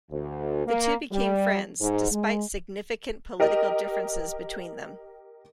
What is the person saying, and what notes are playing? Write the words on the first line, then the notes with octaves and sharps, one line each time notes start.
The two became friends, despite significant political differences between them.
D2
A#3
G3
G#2
G#3
G4 A#4 D#5